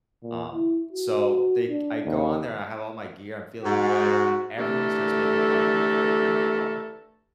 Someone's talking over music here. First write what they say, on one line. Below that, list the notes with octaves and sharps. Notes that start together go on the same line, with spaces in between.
um, so they I go on there, I have all my gear, I'm feeling good, and everyone starts making fun of me for bringing a helmet.
A#2
E4
F#4
D4
D#2
G#2 F#4
D3 E3 A3 G4 A4 A#4